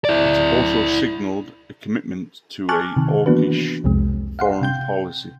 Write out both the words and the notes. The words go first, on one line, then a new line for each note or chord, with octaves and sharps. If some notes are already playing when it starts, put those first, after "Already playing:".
It also signaled a commitment to a hawkish foreign policy.
E4 D5
G#5 A5 C#6 D6 F6 F#6
C3 D#3
E3 A#3 B3 D4 F#4 B4
C2 F2 C3 G#3
F5 F#5 C6
C3 G5 G6